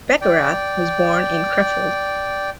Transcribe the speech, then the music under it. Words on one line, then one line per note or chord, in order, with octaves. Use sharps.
Beckerath was born in Krefeld.
D5 G5